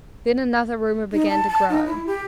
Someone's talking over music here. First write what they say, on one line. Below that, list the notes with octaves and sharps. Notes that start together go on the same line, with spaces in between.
Then another rumor began to grow.
D#4
A5
A5
D#4
E4
G4